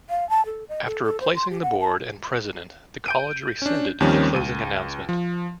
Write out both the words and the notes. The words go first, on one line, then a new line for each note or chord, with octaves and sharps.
After replacing the board and president, the college rescinded the closing announcement.
F5
A5
A4
D#5
A4
A4
C5
C6
G4
F#5
A5
G6 D7 D#7
C#4 D4
D#2 D#3 F3 G3 C4 C#4
C#2 D#7
F3